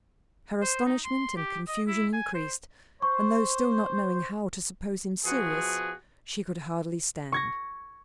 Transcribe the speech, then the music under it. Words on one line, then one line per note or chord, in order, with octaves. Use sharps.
Her astonishment and confusion increased; and though still not knowing how to suppose him serious, she could hardly stand.
C5
D#4
C6
G4
D#5
E4
G#5
C5
C5 C#6
B2 F3 F#4 G#4
C#6 G#6 A#6